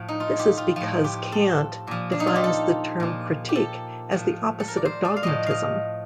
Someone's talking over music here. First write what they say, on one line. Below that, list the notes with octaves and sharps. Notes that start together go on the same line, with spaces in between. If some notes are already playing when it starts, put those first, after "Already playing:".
This is because Kant defines the term critique as the opposite of dogmatism.
Already playing: A2 F3
D#4
F4
G4
F4
A2 F3 F4
G4
A4
A#2 F3
D4
D#4
F4
G4
A4
A#2 F3
G4
A4
A2 F3
A4
A#4
D5
C5
D5
F5
A2 F3 D#5
D#5 F5